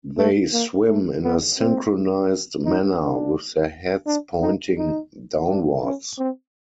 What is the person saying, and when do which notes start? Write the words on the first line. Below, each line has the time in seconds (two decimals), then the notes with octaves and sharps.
They swim in a synchronized manner with their heads pointing downwards.
0.17 A3
0.53 A#3
0.88 A3
1.24 B3
1.59 C4
2.65 D#4
3.01 D4
4.07 D4
4.42 D#4
4.78 D#4
5.49 D4
5.84 C#4
6.19 C4